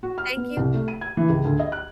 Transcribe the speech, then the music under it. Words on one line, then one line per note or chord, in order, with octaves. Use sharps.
thank you
F#4
F6
B3
C2
A3
D#7
G#6
E3
C#2
D2
D#5
F#6